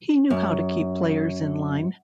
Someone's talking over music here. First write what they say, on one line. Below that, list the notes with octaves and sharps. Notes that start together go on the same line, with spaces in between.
He knew how to keep players in line.
F#2